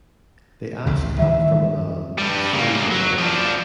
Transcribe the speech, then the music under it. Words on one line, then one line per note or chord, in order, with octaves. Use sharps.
They asked help from an owl, who slew the giant.
A1 D2 C3
D#3 E3 G3 E5
G2 G3
C#3 A#3
F#3
F3 D4